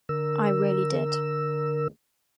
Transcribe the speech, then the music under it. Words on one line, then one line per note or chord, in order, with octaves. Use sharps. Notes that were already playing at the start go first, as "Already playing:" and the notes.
I really did.
D3 A#4 E6